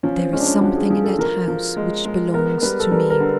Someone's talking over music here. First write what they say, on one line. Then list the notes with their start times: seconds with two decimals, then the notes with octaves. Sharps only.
"There is something in that house which belongs to me."
0.03 F3 C#4
0.18 C4
0.33 G#3 C#4
0.40 D4
0.46 C#4
0.61 F3 F#4
0.76 G#4
0.90 F3 G#4
1.04 A4
1.19 F3 A#4
1.48 F3
1.76 G#3
2.05 G#3
2.34 B3 A#4
2.62 G3 B4
2.80 A4
2.91 G3 A#4
3.10 A#4
3.20 D3